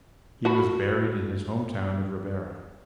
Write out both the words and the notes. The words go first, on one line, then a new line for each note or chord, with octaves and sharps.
He was buried in his home town of Ribera.
F#4 B5